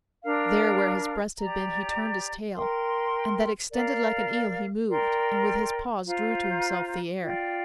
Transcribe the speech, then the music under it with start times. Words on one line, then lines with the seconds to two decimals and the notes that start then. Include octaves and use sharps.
There where his breast had been he turned his tail, And that extended like an eel he moved, And with his paws drew to himself the air.
0.22 D4 A#4 F5
1.38 G4 D5 A#5
2.54 A#4 G5 C6
3.71 A#4 D5 F5
4.88 A#4 D5 G5 C6
6.04 F4 C5 A#5
7.20 F4 D5 G5